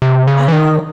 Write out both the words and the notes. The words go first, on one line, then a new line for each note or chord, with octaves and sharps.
I don't
C3
C#3
E3
D#3